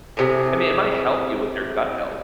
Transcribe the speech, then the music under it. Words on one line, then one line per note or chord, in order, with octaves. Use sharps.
I mean, it might help you with your gut health.
A2 C3 G#4